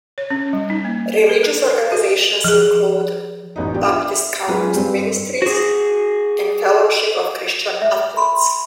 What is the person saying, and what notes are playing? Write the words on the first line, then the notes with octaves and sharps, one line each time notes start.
Religious organizations include: Baptist Campus Ministries, and Fellowship of Christian Athletes.
C#5
C#4
G3
D#4
A#3
B4
A#4
A#4
F#4
F3 G#4
A1 B3 D#4
D4 F4 G4
E5
F#3 G#3 C#4 F4 B4
G2 G3 C4
F#4 G#4
E5
B5 C6